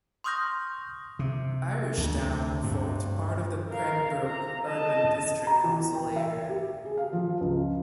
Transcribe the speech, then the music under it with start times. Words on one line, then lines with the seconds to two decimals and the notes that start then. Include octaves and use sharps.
Irishtown formed part of the Pembroke Urban District Council area.
0.24 C6 C#6 D#6 F6 G6 A#6
1.19 C3
1.98 D2
2.64 G2
3.70 A#4 F5
4.25 A#5
4.65 D#5 A5
5.47 A#5
5.64 E3
5.95 G5
6.16 E5
6.49 G4
6.85 G#4
6.97 F5
7.13 F3
7.41 C#2